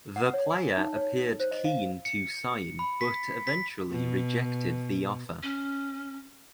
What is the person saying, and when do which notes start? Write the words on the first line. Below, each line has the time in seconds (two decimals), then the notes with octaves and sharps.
The player appeared keen to sign but eventually rejected the offer.
0.16 F#5
0.34 C#5
0.51 G#5
0.77 D#4
0.96 C#5
1.40 C5
1.51 D#5
1.65 F5
2.05 C#7
2.79 B5
3.01 B6
3.47 B6
3.92 B2
5.43 C#4